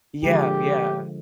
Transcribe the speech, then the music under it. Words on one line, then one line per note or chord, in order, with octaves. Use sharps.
Yeah yeah.
D3 F3 G#3 G4